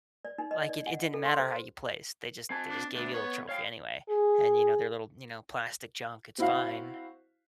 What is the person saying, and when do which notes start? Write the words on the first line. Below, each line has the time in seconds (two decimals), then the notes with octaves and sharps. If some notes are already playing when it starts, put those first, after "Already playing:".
like, it it didn't matter how you placed. They just they just gave you a little trophy anyway. And, you know, they're little, you know, plastic junk. It's fine.
0.25 D5
0.38 D#4
0.51 D#5
0.69 D5
0.87 F#5
1.14 A4
1.25 C6
1.39 C5
2.51 C4 G#5 A5
2.69 D4
2.95 D2 D4
3.13 B3 B4 C#5
3.49 C#5 F5 G5
4.09 G#4
6.38 C4 E4 F#4 F5